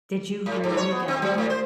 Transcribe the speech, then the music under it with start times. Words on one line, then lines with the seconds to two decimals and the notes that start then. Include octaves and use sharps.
Did you really get one?
0.46 A2
0.64 G#2
0.77 C#5
0.91 B3
1.08 C4
1.22 F#3
1.38 A2
1.50 C5